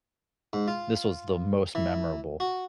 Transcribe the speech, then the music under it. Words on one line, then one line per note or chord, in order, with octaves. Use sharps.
this was the most memorable."
G#2
F4
E3
F#4